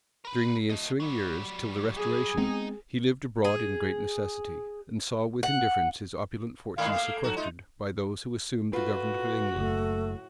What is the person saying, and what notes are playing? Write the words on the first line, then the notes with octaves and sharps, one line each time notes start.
During the ensuing years, till the restoration, he lived abroad in great necessity, and saw with indifference his opulent fortune sequestered by those who assumed the government of England.
A#4 B4
A3 D#5
F#3 G3
G#4
G#3 B3 C4 D#4
G#4
F#5
G#2 D#3 E4 F5
A3 A#3
F#3 D#4 F#4 A4
A3 D#4 F4
A3 F4 F#4 B4
F#1 A2 A3